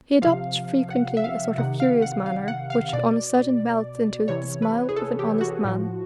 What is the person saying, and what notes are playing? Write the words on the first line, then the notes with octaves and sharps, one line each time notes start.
He adopts frequently a sort of furious manner which on a sudden melts into the smile of an honest man.
C3 F3 F5
F#5
E5
F5
C3 D#3 F#5
F5
F#5
F5
F#5
F5
B2 D5
C3 E3 C#5
B4
G#4
A4
G4
F#4
A2 F3